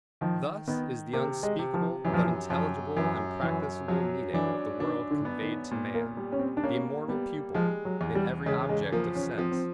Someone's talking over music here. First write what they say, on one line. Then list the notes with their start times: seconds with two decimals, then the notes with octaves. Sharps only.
THUS is the unspeakable but intelligible and practicable meaning of the world conveyed to man, the immortal pupil, in every object of sense.
0.21 D#3 F3
0.67 D#3 B3
1.13 C3 A#3
1.43 G#3
1.59 C3
1.74 F3
2.05 F#2 E3
2.14 F3
2.23 E3
2.50 F#2 F3
2.96 F#2 E3
3.42 F#2 E3
3.88 F3 F#3
4.34 E3 D4
4.80 D#3 D4
5.11 D3
5.25 B3
5.41 D#3
5.71 A#2
5.94 A#3
6.17 G3
6.32 C#4
6.39 C4
6.57 D4
6.64 A#3 C#4
7.08 G3 B3
7.54 F3 G#3
7.85 F#3
8.01 E2
8.15 G3
8.46 C#3 G#3
8.69 G#3
8.92 F3 A#3
9.15 C#4
9.38 F3 C4
9.52 C4